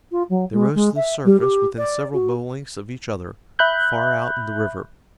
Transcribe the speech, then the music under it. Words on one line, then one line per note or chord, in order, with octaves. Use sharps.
They rose to the surface within several bow-lengths of each other, far out in the river.
F4
F#3
G#3
G#3
E5
G3
G4
D5
F#4
E5 B5 F#6 G6